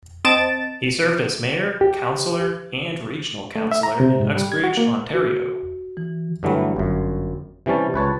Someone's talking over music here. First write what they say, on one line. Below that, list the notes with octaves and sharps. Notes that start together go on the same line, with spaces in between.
He served as mayor, councillor and regional councillor in Uxbridge, Ontario.
C4 D#5 A5 A6 D7 E7
G4
A3
E5
A#5
C3
G#2
G3
G#6
F#4
A#3
F#4
E3
G2 D3 E3 F#3 G3 A3
G1 F#2
C3 E3 G3 C#4 A5
C#2 B4 C#5 A5